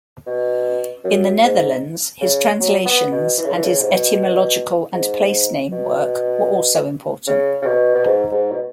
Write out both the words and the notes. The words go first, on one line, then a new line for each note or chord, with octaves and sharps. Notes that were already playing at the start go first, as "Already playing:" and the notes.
In the Netherlands his translations and his etymological and place-name work were also important.
B2
F#2
G#2
C#3
F#3
B3
B2
E3
C#3
E3
C#3
G#2
B2
G#2
B2
C#3
C#3
B2
B2
G#2
G#2
B2